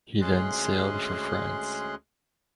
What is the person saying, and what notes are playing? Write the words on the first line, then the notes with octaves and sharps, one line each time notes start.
He then sailed for France.
D2 G#3 C#4 G#4 C6 F#6